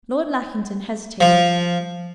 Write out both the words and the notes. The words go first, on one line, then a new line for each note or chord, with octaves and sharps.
Lord Lackington hesitated.
F3